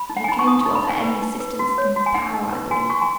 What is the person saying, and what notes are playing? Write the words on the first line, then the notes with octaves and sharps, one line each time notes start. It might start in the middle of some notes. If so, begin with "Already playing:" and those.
'He came to offer any assistance in his power, I believe.
Already playing: B5
D#4
F#5
G#5
D#4 B5
C#6
D#4 D#6
D#4 C#6
B5
D#4
G#5
B4
D#4
B4
F#4
C#5
F#4
G#5
D#4 F#5
D#4
B4
F#4 G#5
F#4 C#6
G#5